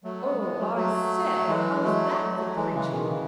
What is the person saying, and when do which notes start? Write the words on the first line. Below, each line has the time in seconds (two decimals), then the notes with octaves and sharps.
'Oh, I say; how's that for preaching?
0.04 F#3 A3
0.21 G#3 B3
0.39 G#3 B3
0.58 F#3 A3
0.76 F#3 A3
1.48 E3 G#3
1.83 F#3 A3
2.37 F#3 A3
2.56 E3 G#3
2.73 C#3 E3
2.91 B2 D#3
3.08 C#3 E3